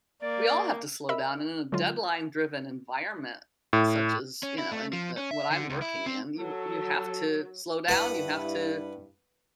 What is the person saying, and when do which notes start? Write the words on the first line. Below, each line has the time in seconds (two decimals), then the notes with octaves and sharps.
we all have to slow down and in a deadline-driven environment such as, you know, any n what I'm working in, you you have to slow down, you have to
0.22 A#3 D5
1.09 A#4 D#5 E5 B5 E6
1.72 D3 F#3 G#3 F4
3.73 A2
4.43 C#4
4.58 E4
4.71 A3
4.93 F3
5.17 C#4
5.31 E5
5.50 D3
5.70 C#2
5.82 E4
6.06 C4
6.39 F#3 A4
7.88 G2 E4 B4 F#5